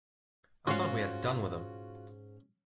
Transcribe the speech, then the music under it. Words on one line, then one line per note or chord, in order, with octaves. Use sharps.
I thought we had done with him.
G#2 C#4 F4 F#4 F5